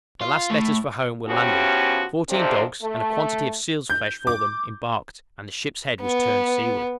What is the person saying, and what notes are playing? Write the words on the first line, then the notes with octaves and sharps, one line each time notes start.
The last letters for home were landed, fourteen dogs and a quantity of seal's flesh for them embarked, and the ship's head was turned seaward.
F4
A2
C#3 F3 B3 C#4 F#4 G4
F2 C3 D#3 F3 C4 D4
A3
G6
D6
B3